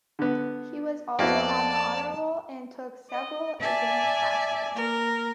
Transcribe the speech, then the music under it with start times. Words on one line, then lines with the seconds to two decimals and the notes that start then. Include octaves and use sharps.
He was also on the Honor Roll and took several advanced classes.
0.19 D3 B3
1.19 F2 A#3 B3 E4 F#4 D5 A5
3.09 D#5
3.59 D5 E5 G#5 A5
4.74 A#3 A#4